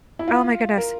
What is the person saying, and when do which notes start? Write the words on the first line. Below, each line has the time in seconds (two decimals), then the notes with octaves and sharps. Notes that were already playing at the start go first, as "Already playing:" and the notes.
oh my goodness
0.19 E4
0.28 F4
0.77 A#4